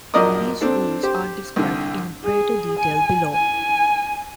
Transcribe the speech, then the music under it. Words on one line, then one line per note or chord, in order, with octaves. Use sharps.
These rules are described in greater detail below.
A#1 F#2 A#4 D5 D#5 D#6
C4 D4 A4
G4 C5
C2 D3
G#4
G#5
G#5